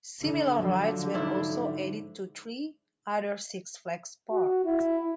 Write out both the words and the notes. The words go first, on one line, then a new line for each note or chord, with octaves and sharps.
Similar rides were also added to three other Six Flags parks.
D3
F3 F#3
G#2 D4 E4
F#4
E4